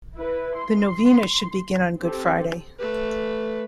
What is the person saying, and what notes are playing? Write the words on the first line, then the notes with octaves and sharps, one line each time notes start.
The novena should begin on Good Friday.
E4 B4
C6
C4 G4 A4
A3 B4